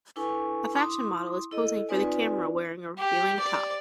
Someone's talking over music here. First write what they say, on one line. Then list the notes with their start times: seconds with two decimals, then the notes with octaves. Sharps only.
A fashion model is posing for the camera wearing a revealing top.
0.16 D4 E4 A4 B4 G#5 C#6
0.72 E4 C6 D6 D#6
1.51 E4 A4 D#5
1.89 C4 D#4 F4 B4 D5 G#5
2.98 G4
3.40 D5